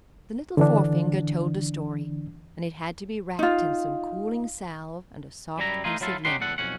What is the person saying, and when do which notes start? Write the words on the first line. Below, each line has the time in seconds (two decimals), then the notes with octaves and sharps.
The little forefinger told the story, and it had to be wrapped in some cooling salve and a soft piece of linen.
0.57 D3 E3 D4
3.39 D#4 F4
5.58 F#2 G3 E4 A#5
5.84 A3 A#3 D#4 F4 G#4
6.01 F#3 E4 F4 A4
6.25 C#4 D#4 G4 F#5 C6
6.41 E2 A4 F#5
6.58 B1 F2 C#4 F#5